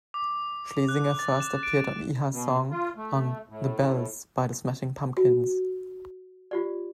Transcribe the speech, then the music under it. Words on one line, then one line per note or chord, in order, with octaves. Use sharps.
Schlesinger first appeared on Iha's song on "The Bells" by The Smashing Pumpkins.
D6
F#6
A6
E7
D7
B2
F4
A3
A2
F#4
F4 G4 D5